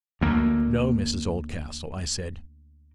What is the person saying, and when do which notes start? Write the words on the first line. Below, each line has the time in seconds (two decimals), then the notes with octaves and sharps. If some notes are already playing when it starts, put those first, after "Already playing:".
"No, Mrs Oldcastle," I said.
0.21 D2 A#3